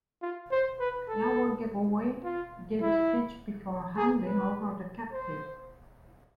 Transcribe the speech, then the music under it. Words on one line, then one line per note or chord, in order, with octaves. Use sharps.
Lawoughqua gave a speech before handing over the captives.
F4
C5
B4
A4
F4
E4
G#4
B4
C5